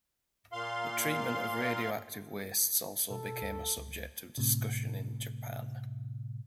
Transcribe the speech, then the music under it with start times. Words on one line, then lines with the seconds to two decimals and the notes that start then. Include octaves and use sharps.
The treatment of radioactive wastes also became a subject of discussion in Japan.
0.53 A#2 F5 C6
3.11 B2 A4
3.42 D2
3.77 C#2
4.38 A2 C3